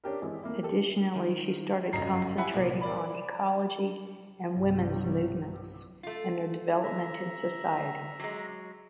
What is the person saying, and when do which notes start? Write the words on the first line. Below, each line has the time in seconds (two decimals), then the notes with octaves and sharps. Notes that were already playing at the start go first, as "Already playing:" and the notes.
Additionally, she started concentrating on ecology and women's movements and their development in society.
0.04 C#4 D4 G4 A#4
0.21 G#1 E3
0.43 A3 A#3 E4
0.63 G4 A4
1.15 D#3
1.93 G1 F#2 C#3 D#5 A#5 C7
2.38 E4 G4 E5 F#5 G#5 B5
2.54 C2 A#2
2.81 A#4 D5 B5
4.53 B1 G2 C3 F#3 G3
6.03 A3 F4
6.83 E5 A#5
8.20 F#3 G#3